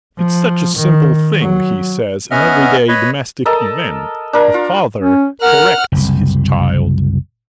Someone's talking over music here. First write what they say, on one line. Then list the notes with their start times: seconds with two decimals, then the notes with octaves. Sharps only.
'It's such a simple thing,' he says, 'an everyday domestic event. A father corrects his child.
0.18 F3
0.76 D#3
1.40 F#3
2.31 B3 C#4 D#5 E5 F#5 F6
2.88 B4 C#5 D#5 B5
3.46 A4 A#4 D#5 A5
4.33 D4 A#4
4.54 F4
5.01 C#4
5.42 A#4 F#5 F6
5.92 F#1 C2